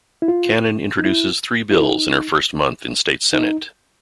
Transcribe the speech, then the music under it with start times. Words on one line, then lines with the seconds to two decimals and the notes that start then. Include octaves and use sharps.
Cannon introduces three bills in her first month in state senate.
0.22 E4
0.28 F4
0.98 D#4
1.05 E4
1.71 E4
1.81 D#4
3.33 D#4